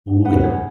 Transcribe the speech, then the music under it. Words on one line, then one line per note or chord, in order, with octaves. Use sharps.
Ooh, yeah.
B4 F#5
G#4